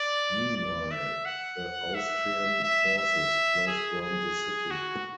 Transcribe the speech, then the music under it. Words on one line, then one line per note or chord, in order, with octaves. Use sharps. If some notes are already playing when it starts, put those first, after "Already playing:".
Meanwhile, the Austrian forces closed round the city.
Already playing: D5
D5
E5
F#5
E5
E5
E5
G#4
G#4
F#4